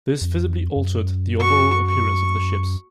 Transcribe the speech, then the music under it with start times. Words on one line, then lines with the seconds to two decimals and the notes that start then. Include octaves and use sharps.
This visibly altered the overall appearance of the ships.
0.21 F2
0.76 F#2
1.38 F#4 C#6
1.86 C#6